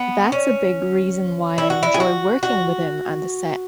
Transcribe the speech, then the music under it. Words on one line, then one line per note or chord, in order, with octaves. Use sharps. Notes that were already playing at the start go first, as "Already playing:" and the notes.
That's a big reason why I enjoy working with him on the set.
Already playing: B3
C#4
E4
F#4
E4
G#4
F#4
F#4